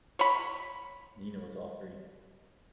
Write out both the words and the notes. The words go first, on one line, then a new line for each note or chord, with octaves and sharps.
Nino is all three.
C#5 B5